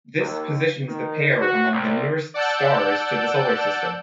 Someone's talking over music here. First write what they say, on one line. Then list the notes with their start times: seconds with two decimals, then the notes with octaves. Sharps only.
This positions the pair among the nearest stars to the Solar System.
0.19 D#2
0.88 D#3
1.40 F#4
1.71 C2
2.34 D5 F#5 A5 E6 G6